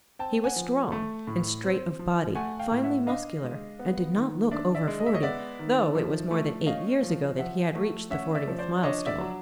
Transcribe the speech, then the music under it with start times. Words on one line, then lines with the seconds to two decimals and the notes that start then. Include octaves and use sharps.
He was strong and straight of body, finely muscular, and did not look over forty, though it was more than eight years ago that he had reached the fortieth milestone.
0.19 C4 G5 A5
0.44 F#5 G#5
0.56 F3
0.92 A3
1.27 A2
1.64 C4
1.99 F3
2.35 A3 F#5 G#5
2.59 F5 G5
2.71 A2
2.83 E5 F#5
3.07 D4 D#5 F5
3.43 G#3
3.79 B3
4.16 D#3
4.51 D4 D5 E5
4.75 D5 E5
4.87 G#3
5.00 D#5
5.06 E5
5.13 C#5 D#5
5.23 B3 D5 E5
5.59 D#3
5.95 F3
6.31 A3
6.66 C#4 D#5 F5
7.03 F3
7.39 F3 E5 F#5
7.76 A3
8.10 C#4 E5 F#5
8.35 D5 E5
8.47 F3
8.59 C5 D5
8.83 D4 C#5 D#5
9.06 D5 E5
9.19 F#3